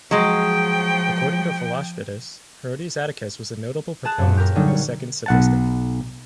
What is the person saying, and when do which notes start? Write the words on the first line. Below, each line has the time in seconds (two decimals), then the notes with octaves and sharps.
According to Philostratus, Herodes Atticus was a notable proponent of the Second Sophistic.
0.11 F3 F#3 G#3 G5
4.05 G#4 A5 F#6 E7
4.18 F#2 A#2
4.37 G4 A#4
4.55 D3 F#3 G3 D#4
4.68 C#5
5.26 B1 F#5 A5